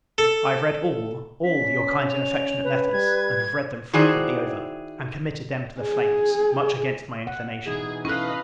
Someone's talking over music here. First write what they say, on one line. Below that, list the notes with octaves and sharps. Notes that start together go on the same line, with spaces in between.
I have read all, all, your kind and affectionate letters: and have read them frequently over; and committed them to the flames, much against my inclination.
A4
C#4 B6
F7
B4
G3 G#6
D#3 E4 F#4 G#4 C5 D5
G#4
F#5
B2 E3 D#4 G#4
C#4 E4 A4 B4 D#5 F5 F#6